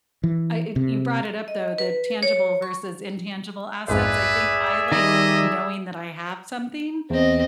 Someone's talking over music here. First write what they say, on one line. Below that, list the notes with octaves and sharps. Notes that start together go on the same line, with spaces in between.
I it you brought it up, though, the tangible versus intangible assets, I think I like knowing that I have something,
E3
C3
D#5
B4
C#5
C#6
A#1 F2 G#2 G#4 B4 D5 E5
D#3 G3 D#5
E2 C4 D#5